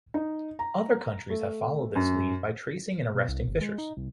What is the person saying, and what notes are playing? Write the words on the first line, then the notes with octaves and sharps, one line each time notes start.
Other countries have followed this lead by tracing and arresting phishers.
D#4
A#5
A3
F#2
B2
C2
G1
G#3
D#4
C2